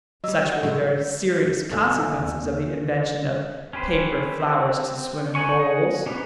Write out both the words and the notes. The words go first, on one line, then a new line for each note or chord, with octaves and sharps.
Such were the very serious consequences of the invention of paper flowers to swim in bowls.
F#3 G3 D#5 E6
F#5
A2 F#3 G#3 A4
B1 D3 E5 G#5 E6
D#2
C#4 G4 B4 C5
C4
D#4 F#4 G#5 C#6
G#4 D#5 F#5
C#4 D#4 G4 A#4 B4